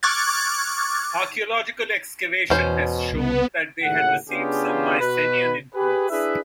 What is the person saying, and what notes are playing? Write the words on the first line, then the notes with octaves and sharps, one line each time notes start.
Archaeological excavation has shown that they had received some Mycenaean influence.
C#6 D6 F6 F#6 G#6 A6
E2 B2 C#4 C5
C2 C#3 B3
D#2 A2 C#3 F#5
C#3 B3 D4 F4 G4 G#4
B2 B4
G4 G#4 B4
D4 E4 G#4 B4 E5